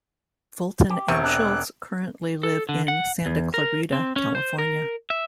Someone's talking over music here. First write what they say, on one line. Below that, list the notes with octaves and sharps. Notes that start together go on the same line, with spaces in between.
Fulton and Schultz currently live in Santa Clarita, California.
G4
E1 C3 C#6
D4 G4 F#6
A4
D3
F#5
E2
A#4
C4
C#4
C5
A#4
E5